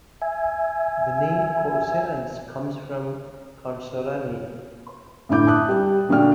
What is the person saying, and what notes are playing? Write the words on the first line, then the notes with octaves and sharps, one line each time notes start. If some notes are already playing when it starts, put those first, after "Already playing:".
The name Couserans comes from "Consoranni".
E5 G#5
A2 D3 E4 D6 G6
E5 A5 D#6 F#6
G3
A#2 D3 F#3 D5 G5 F6